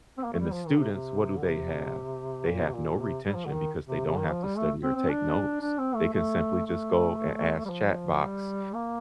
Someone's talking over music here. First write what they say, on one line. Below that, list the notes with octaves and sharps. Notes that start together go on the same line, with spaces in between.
and the students, what do they have? They have no retention because they don't have to study or take notes. They can simply just go and ask Chatbox
C4
A#3
A3
G3
F3
D#3
C3
C3
D3
C3
A#2
C3
A#2
A#2
C3
G3
F3
D3
D#3
C3
C3
D#3
F3
G3
A3
C4
C4
D4
D4
C4
A3
A3
A3
G3
F3
G3
A#3